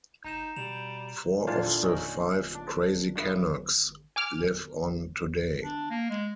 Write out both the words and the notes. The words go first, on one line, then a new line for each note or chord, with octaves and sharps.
Four of the five "Crazy Canucks" live on today.
F1 D#4 A#5 G6 E7
B2 G3 E7 F7
A#2 D3 E3 F4
C#4 D#4 A#4
D4
G2 B3 E5
G#5 D6 F6
D4
A#3
G#3